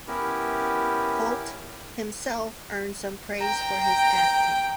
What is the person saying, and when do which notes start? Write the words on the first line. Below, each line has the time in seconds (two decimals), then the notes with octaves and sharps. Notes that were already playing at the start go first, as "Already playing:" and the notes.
Hoult himself earned some praise for his acting.
0.08 B3 C#4 E4 G4 A#4
3.41 G5 A#5